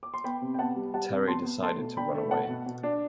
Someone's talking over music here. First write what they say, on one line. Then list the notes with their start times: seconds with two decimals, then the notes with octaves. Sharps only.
Terry decided to run away.
0.03 D6
0.14 C6
0.24 B3 G5 B5
0.42 C3
0.54 G5
0.59 B3 F#5 A5
0.76 G3
0.94 G3 F#5 A5
1.10 C3
1.28 B3 A5 C6
1.45 B3
1.63 A3 A5 C6
1.79 B2
1.97 D4 G5 B5
2.15 A3
2.31 B2 F#5 A5
2.49 B2
2.66 B2
2.83 D4